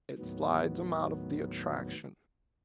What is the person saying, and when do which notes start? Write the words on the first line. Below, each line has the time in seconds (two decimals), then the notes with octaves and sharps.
"It slides 'em out of the attraction."
0.18 D#2 A2 D#3 F#3 B3